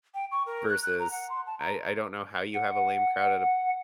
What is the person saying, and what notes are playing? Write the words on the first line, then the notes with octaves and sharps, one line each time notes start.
versus I I don't know how you have a lame crowd at
G5
C#6
A#4
F#6
F#6
A#5
F#5
C6
A5
A#5
F#5